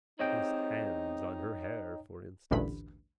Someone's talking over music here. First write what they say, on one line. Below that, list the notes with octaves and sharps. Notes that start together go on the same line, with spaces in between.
His hands on her hair, for instance.
C3 G#3 C4 D#4 C#5 D#5 G5
A1 D2 G2 A#2 B5